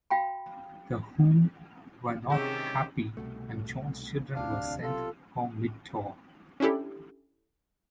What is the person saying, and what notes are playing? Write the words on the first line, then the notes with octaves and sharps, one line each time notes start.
The Who were not happy and John's Children were sent home mid-tour.
F#4 F5 G5 B5
C3 D#3 C#4 G4 G#4 E6 E7
C2 B2 A3
E1 D2 C3 D4 F5
B1 C3 F4 A4
C#4 D4 E4 G4 A4